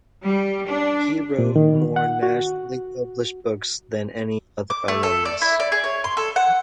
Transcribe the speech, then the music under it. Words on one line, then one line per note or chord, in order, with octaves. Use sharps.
He wrote more nationally-published books than any other alumnus.
G3
D4
A#2
D#3
F#5
F#4
D6
A3
A4
D5
E4
D5
G#4
C#5
C6
A4
F#5